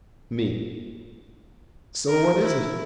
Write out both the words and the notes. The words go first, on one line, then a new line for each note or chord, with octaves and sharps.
ME: So what is it?
A#4
E4